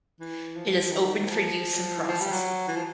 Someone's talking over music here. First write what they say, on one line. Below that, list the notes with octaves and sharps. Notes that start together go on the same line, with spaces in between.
It is open for use and processing.
E3
F3
D#3
F3
E3
F3
G3
F#3
E3
F3